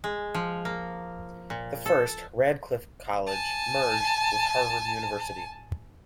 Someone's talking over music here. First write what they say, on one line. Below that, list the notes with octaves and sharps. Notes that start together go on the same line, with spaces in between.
The first, Radcliffe College, merged with Harvard University.
G#3
F3
A#3
A#2
A4
G#5 A5